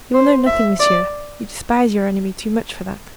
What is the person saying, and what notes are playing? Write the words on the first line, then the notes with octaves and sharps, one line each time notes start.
"You will know nothing, monsieur; you despise your enemy too much for that."
C5
E5
D5